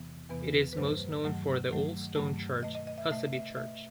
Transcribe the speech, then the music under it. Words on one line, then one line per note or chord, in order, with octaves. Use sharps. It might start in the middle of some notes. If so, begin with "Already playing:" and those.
It is most known for the old stone church Husaby Church.
Already playing: E2 C3 E3 B3
E2 C3 E3 B3 B4
B4
G2 D#3 F#3 A3 C5
G2 D#3 F#3 A3
G2 D#3 F#3 A3
G2 D#3 F#3 A3
B2 A3 D#5
D#5
D#5
E5
B2 A3 E5
D#5
E5
B2 A3 E5